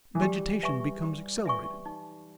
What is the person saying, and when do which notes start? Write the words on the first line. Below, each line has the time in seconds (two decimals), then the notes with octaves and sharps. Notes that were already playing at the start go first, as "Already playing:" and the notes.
Vegetation becomes accelerated.
0.15 E3
0.21 G3 G4
0.63 B4 E5 G#5 C#6
1.03 G4
1.45 B4 E5 G#5 C#6
1.86 D#4